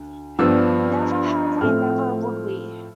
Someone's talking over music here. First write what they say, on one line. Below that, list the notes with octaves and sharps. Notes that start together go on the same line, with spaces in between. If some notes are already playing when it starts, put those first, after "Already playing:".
Never have we -- never would we.
Already playing: D2
G2 F3 B3 D4 E6
A2 F3 A3 C4 F6